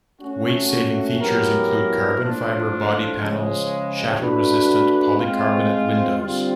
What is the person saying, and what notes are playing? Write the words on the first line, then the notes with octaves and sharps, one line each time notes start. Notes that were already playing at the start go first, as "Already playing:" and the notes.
Weight saving features include carbon fiber body panels, shatter-resistant polycarbonate windows.
A3 C#4 F#4
F#3 B3 E4 G4 A#4
A2 F3 A3 D4 F4
C#3 F3 G#3
A3 D4 F#4 B4
G#3 C4 F4
D3 G3 C4 F4